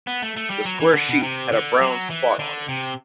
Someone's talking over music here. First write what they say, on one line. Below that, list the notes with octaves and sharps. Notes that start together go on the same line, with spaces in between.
The square sheet had a brown spot on it.
B3
A3
A3
G3
F#3
E3
D3
B2
C3
D3
F#3
E3
D3
C3